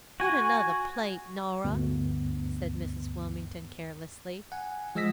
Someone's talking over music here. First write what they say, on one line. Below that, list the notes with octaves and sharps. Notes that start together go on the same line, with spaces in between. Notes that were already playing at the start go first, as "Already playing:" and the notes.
"Put another plate, Norah," said Mrs. Wilmington carelessly.
F#4 G#5
D2 G2 B3
F#5 G#5
F3 G#3 D#5 E6 A#6 B6